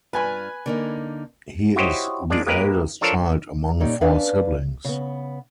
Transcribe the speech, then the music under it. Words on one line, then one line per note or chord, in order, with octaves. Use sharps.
He is the eldest child among four siblings.
G2 F4 B4 G#5 B5
D3 A#3 D#4
E4 F#4 G4 C5 C#5 D#5
G#3 A#3 D4 F4 D5
G#3 A#3 G4 A#4 B4
F3 D4 F4 A4 A#4 C#5
A#2 C#4 D#4 G4 D5
C#4 D4 B4 F5
C#3 B3